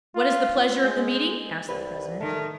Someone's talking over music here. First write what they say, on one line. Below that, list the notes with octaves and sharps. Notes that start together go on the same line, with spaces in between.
"What is the pleasure of the meeting?" asked the president.
F4
G#3
C2 B4
D#3 A3